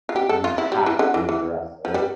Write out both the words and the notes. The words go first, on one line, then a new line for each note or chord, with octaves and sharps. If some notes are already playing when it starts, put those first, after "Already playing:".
you have to address it.
F4
G4
A4
F4
E4
G3
E3
D3
E3
E3
F3
G3